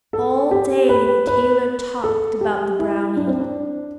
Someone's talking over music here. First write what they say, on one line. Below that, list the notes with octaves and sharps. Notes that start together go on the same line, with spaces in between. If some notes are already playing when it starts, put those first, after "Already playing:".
All day the tailor talked about the brownie.
A4
G4
B4
B4
A4
G4
E4
D4
C4
D4